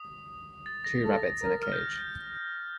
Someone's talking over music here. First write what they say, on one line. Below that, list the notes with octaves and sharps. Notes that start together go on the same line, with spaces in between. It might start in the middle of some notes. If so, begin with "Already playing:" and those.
Two rabbits in a cage.
Already playing: D#6
A6
A#6
A4
A#4
F6
G6